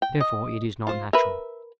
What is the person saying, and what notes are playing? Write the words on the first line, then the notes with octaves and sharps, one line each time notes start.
Therefore it is not natural.
G5
D#5
F4 C5
A#4 B4 E5